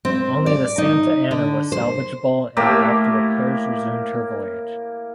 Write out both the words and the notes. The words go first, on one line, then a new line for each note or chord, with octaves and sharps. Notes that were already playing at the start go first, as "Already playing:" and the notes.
Only the "Santa Ana" was salvageable and after repairs resumed her voyage.
C4
D5
D#4
D3
C5
A2 A#3 G4 A#4